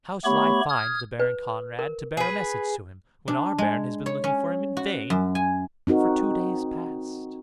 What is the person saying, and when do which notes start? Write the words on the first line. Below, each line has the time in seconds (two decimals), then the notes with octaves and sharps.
"How shall I find the Baron Conrad to bear a message to him, when our Baron has been looking for him in vain for two days past?"
0.24 A3 B3 G4 C#5 B5 C#6
0.69 D#6 F6 G#6
1.20 B4
1.79 A#4
2.17 G#4 B4
3.28 D4
3.58 G#3
4.06 C#5
4.24 C#4
4.77 F#4
5.10 F#2
5.35 G#5
5.87 C4 D#4 F#4 A#4